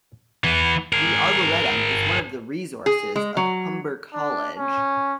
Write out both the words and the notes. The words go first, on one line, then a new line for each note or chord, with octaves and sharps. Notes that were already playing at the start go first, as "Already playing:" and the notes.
The Arboretum is one of the resources of Humber College.
E3 B3
G#4 A#4
G#4
G#3
F#3
D4
C#4